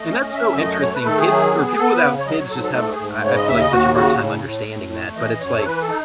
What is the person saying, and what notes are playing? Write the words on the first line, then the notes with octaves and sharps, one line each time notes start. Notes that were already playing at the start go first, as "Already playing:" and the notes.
And that's so interesting. Kids or people without kids just have I I feel like such a hard time understanding that, but it's like,
Already playing: A3 D#5
C#4
F#2 E5
A3 D#5
A3 C#5
B4
D#3 A4
G#4
F#3
B3
B3 A4
B4
C#3
C#5
F#3 D#5
C#5
G#2 A4
A4
A3 A4
G#4
G#2
C#3 C#5
D#5
D#2 E5
D#5
D#2 F#4
C#3 F#4
A2
A2
A2
A3
E3 D#5
F#2 C#5
A4
E3 B4
A4
D#4